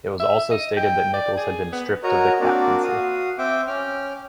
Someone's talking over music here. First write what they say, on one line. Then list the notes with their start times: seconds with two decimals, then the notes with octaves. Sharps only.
It was also stated that Nicholls had been stripped of the captaincy.
0.20 E5
0.51 D#5
0.77 G5
1.14 D5
1.37 G#4
1.72 B3
2.03 F#4 A#4 C#5 D#5 A#5
2.41 A#3 C4 D4 F#4 D5
2.83 F#4 F5 D#6
3.38 C4 E5 G5 D6
3.67 C#4 G5 D6 F6